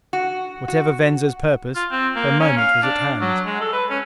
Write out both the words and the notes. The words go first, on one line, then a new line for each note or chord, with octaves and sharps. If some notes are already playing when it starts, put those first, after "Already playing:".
Whatever Venza's purpose, her moment was at hand.
F#4
F#4
F4
C4
A#3
C#4
F5
D4
F#3
G#3
A4
B4
C#4